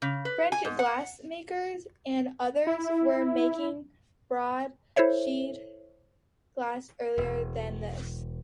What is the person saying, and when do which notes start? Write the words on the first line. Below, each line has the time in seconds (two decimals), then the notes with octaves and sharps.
French glass-makers and others were making broad sheet glass earlier than this.
0.02 C#3
0.25 B4
0.52 G#5
0.65 G#2
0.79 F#5
2.67 E4
4.96 E4 A4 C5 C#5 E5
7.18 E1